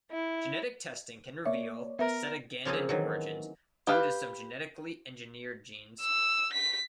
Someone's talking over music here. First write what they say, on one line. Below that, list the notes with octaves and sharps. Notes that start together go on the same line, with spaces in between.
Genetic testing can reveal the Cetagandan origins due to some genetically engineered genes.
E4
A#3 C#5 D5 E5
B3 A#4 E5
C#3 F3 A#3 C4 G#4 A4
D#3 E3 F#3
G4 B4 F5
E6
B6